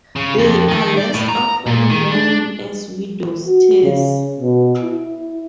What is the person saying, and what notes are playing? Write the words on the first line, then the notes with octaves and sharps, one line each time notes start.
They are less often known as widow's tears.
C#3
F2
D#3
D5
A2
A#5
A#2
D#3
D4
F#4
C#3
B2
E4